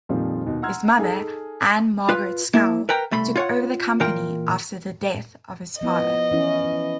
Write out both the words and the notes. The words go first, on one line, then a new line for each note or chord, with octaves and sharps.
His mother Ane-Margrethe Skou took over the company after the death of his father.
F2 A#2 D#3 F3 G3 C4
D#2 B2
F#5 A#5 C6 E6 F6 G#6
D#4 G#4 A4 G#5
F4 B4
A#3 E4
A#4 B4 G5 A#5
C2 A3 B5 C6
F4 C#5 F#5
A#2 E3 F4 A#4 G5
F3 B3 E4 D#5
E3 C#4 E4